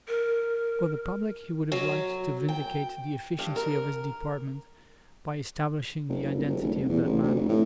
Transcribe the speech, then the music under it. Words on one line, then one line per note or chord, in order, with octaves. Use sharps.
Before the public he would have liked to vindicate the efficiency of his department by establishing the identity of that man.
A#4
F#3
G5
G2
A#4
F#1
F#1
G1
F#1
F1
D#1
E2
A1
D2
F1
A2